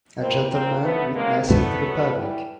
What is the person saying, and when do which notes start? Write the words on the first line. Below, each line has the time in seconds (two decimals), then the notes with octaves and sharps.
A gentleman witnessing to the public.
0.19 C3 E3 G3 A#3 C4
0.52 A#2 F3 A#3 C4
0.83 B2 F#3 A3 B3
1.15 C3 D#3 F#3 G#3 A#3
1.48 C3 E3 G3 A3 B3
1.80 B2 F#3
2.11 A2 E3 G3